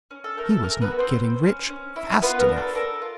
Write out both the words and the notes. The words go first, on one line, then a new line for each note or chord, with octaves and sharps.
He was not getting rich fast enough.
C#4
A4
A3 A#4
A4
C#4 A#4
B3 B4
F#4
C4 C5
C#4
C#4
C#4
E4
B3 F4 B4
A#4
D4
A4
A4 A#4
F4